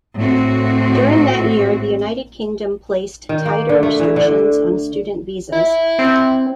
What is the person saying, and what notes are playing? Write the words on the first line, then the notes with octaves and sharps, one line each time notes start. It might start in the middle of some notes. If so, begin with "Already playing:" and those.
During that year, the United Kingdom placed tighter restrictions on student visas.
A2 C4 F#4
D#3
A#3
D3
A3
E3
D3
E4
C4